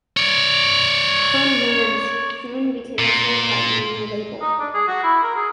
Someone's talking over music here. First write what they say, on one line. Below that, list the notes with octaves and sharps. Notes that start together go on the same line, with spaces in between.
Poneman soon became a full partner in the label.
C#5 D5
A#2
D#4
D4
G#4
F#4
E4
A#4
G#4